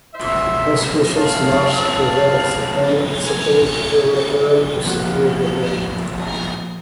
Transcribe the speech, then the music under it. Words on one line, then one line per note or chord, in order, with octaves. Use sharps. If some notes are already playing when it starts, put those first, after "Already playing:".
Institutions must provide acceptable collateral to secure the loan.
C5 E5
C#5 F5 A5
G#5
A#2 F3 F4 F#4 F#6